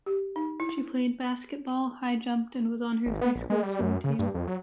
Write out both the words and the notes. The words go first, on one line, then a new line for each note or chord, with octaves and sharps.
She played basketball, high-jumped and was on her high school swim team.
G4
D#4
E4
G#1
B3
A#1
G#3
G3
F#2
C#3
G2
F2
F#3